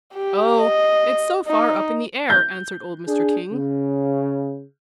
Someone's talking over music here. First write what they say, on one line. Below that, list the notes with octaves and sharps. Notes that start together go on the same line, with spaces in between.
"Oh, it's so far up in the air," answered old Mr. King.
G4
D#5
D#4
G6
D4 G#4
C#3